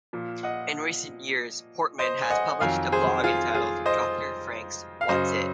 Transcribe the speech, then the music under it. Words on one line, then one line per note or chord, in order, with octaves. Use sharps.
In recent years Portman has published a blog entitled Doctor Frank's What's-It.
A#2 F3
D#5 F#5
C5 D#5
G#5
D#5 F#5
F2 D#3 F#3 F5 G#5
G#4 C5
F4 G#4
F4 G#4
C5 D#5
F5
F#2 C#3 F#3 C5 D#5